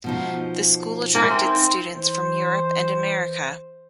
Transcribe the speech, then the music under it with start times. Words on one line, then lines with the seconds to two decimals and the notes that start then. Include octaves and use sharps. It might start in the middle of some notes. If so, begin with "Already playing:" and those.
The school attracted students from Europe and America.
0.04 B2 F3 D#4
1.15 A#3 D#4 E5 G#5
1.30 C4
1.93 E3 C5